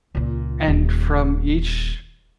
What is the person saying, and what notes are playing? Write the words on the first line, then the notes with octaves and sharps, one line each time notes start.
and from each
C#2 A#2
D#1